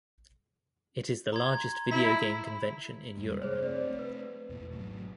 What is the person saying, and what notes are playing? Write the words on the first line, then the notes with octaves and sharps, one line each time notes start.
It is the largest video game convention in Europe.
A#5 C6 G#6
E4 B6
F2 G3 G#3
C3 A#3 G#4 C5 C#5
A3 C4 D5
B4
E2 B2 A#3
G#1 F#3 A3